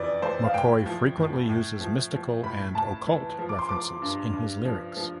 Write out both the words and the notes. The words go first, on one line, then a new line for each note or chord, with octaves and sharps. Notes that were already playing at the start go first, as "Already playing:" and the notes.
McCoy frequently uses mystical and occult references in his lyrics.
Already playing: F2 E3 D5
E3 C5
F5
A2 G5
F3
A2
A2
F3
F3
A2 B5
A2 A5
E3
F3
D6
C6
F3 D6
G2
G2
F3
F3